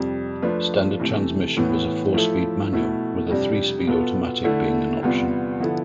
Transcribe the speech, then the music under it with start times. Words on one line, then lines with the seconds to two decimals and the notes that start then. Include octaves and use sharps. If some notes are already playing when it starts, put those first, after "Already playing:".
Standard transmission was a four-speed manual, with a three-speed automatic being an option.
Already playing: F2 C3 G3
0.42 F3 A3 D4 F4 B4
1.00 C3 E3 A3
1.57 A2 E3 B3
2.14 F3 A3 E4 A4
2.72 B2 A3 E4
3.29 F2 C3 G3 D4
3.87 B2 B3 F4 A4
4.44 D3 A3 E4 A4
5.03 E2 C3 G3 B3 F4
5.60 D3 F3 B3 E4 A4